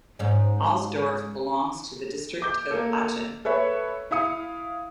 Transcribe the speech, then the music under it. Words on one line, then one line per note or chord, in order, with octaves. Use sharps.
Alsdorf belongs to the district of Aachen.
G#2 C#4
D6 G6
A#3 A4
A4 B4 C#5 E5
E4 F5 D#6 C#7